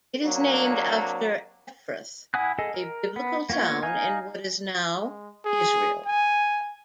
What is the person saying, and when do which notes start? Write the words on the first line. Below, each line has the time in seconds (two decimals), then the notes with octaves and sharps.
It is named after Ephrath, a biblical town in what is now Israel.
0.23 F#3 A#3 C4 D4
2.34 E4 F#5 G#5 D#6 F#6
2.59 G#4 A4 D#5
2.74 A#4
3.16 B3
3.50 A#3 B3 F4 C#5
3.83 D#4 F5 G#5
4.94 G#3
5.45 G#4
6.06 G#5